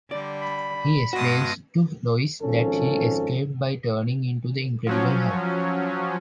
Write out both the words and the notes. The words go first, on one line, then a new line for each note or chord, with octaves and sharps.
He explains to Lois that he escaped by turning into the Incredible Hulk.
D3 G3 D5
B5
G2 G#3 B3 F#4 A5 D#6 A#6
G#1 F3 C#4 A4
F3 F#3 C#4